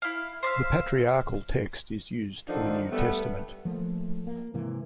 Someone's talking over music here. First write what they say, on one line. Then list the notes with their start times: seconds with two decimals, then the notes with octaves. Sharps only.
The Patriarchal Text is used for the New Testament.
0.02 E4 F5
0.43 C5 D5 E5 F5
2.49 D3 D#3 F3 D4 D#4 A4
2.92 G3 A3 B3
3.65 F3 A3 A#3
4.27 A#3
4.54 G#2 C3 E3 A#3